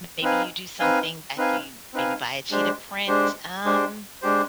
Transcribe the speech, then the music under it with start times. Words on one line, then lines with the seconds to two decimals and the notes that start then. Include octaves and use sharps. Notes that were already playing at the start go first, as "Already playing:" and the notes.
Maybe you do something that you maybe, buy a cheetah print, um,
0.22 C4 D#4 B4 F5 G#5
0.79 C4 D#4 B4 F5 G#5
1.37 C4 D#4 B4 F5 G#5
1.93 C4 D#4 B4 F5 G#5
2.51 G#3 D4 G4 C5
3.08 G#3 D4 G4 C5
3.65 G#3 D4 G4 C5
4.22 G#3 D4 G4 C5